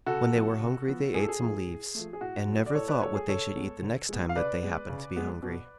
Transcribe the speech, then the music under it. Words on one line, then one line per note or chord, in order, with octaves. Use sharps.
When they were hungry they ate some leaves, and never thought what they should eat the next time that they happened to be hungry.
C#3 F#4 A4
F3 B3
C#3
F3 B3
A2 G#4
A4
G#4
F3 A3
A2
F3 A3
G#4
A2 F#4
F#3 A3
D5
A2 A4 C#5
B4 D5
F#3 A3 A4 C#5
G#4
D3 A4 C#5
G#3 B3
D3
G#3 B3
F5
C#3 B4 D5
G#3 B3
C#3
G#3 B3
B2